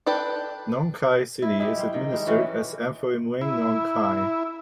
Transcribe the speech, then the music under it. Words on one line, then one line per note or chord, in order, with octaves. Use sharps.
Nong Khai city is administered as Amphoe Mueang Nong Khai.
D4 A4 B4 D5 G5
E4
G#3 E4 G4
G3 C5
D#3 G5
G3 G#3 C5
E3 C#4 F#4 G4
E4